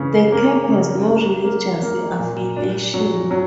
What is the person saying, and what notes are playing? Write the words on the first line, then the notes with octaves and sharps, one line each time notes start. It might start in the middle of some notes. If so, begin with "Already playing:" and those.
The camp has no religious affiliation.
Already playing: C#3 E3
A#3
C#3
A#3
A#3
A#3
A#2
D4
F#3
F#3